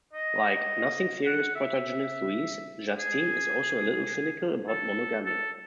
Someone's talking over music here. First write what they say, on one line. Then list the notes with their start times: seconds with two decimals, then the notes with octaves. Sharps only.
Like "Nothing Serious" protagonist Louise, Justine is also a little cynical about monogamy.
0.13 D#5
1.26 F#5
1.55 E5
2.98 G#4
4.68 A4
5.26 A4